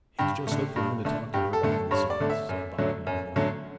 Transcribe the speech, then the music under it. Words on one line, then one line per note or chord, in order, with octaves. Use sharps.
'He's just slipped round to talk to her behind the scenes,' said Bob knowingly.
G2 G4
D3 A3
G2
D3 A3
G2 G4
A4
D3 A3
A4
G2 C#5
D5
D3 A3
E5
F#2
D3 F#3 A3
F#2
D3 F#3 A3